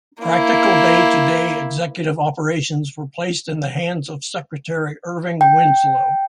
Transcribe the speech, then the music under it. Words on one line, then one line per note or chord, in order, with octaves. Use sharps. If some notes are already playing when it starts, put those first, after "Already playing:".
Practical day-to-day executive operations were placed in the hands of Secretary Erving Winslow.
A#3 E4
G5